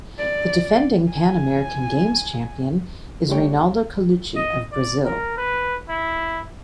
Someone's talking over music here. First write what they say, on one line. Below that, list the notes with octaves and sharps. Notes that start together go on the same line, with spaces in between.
The defending Pan American Games champion is Reinaldo Colucci of Brazil.
D5
G#5
G3 A3 D4 G4 C#5 G5
D#5
D5
A#4
B4
E4